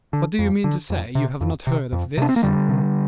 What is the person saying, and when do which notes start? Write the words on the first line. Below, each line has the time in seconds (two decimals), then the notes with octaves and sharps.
But do you mean to say you have not heard of this?
0.13 D3
0.39 F2
0.64 D3
0.90 F2
1.15 C3
1.41 F2
1.67 C3
1.92 F2
2.17 C3 D4
2.29 C4
2.36 A#3
2.43 F2 D3 G3
2.69 C3